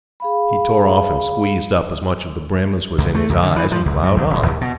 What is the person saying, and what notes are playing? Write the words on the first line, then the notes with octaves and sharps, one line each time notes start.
He tore off and squeezed up as much of the brim as was in his eyes and ploughed on.
G#4 F5 B5
C#2
A3
C#2
D3
E3
F3
C#2
F#2
D#2
D#1
D#2
B2